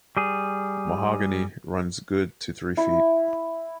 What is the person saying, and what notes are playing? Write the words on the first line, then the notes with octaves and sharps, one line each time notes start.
Mahogany runs good to three feet.
G3 G#4
E4